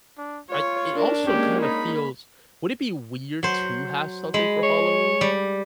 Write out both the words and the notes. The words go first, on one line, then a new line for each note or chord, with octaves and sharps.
I It also kinda feels would it be weird to have something for Halloween?
D4
F4 C#5
D4 A#4
G#3 A#3 C#4 G4
D#4 B5
F#3 C5
G#3 B5
C#5
G3